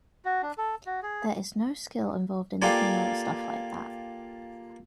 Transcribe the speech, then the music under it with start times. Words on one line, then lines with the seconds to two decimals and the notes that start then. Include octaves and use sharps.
There is no skill involved in knocking out stuff like that!
0.25 F#4
0.42 D4
0.58 A4
0.86 F#4
1.03 G#4
2.62 A#3 F4 G4 A4 D5 G#5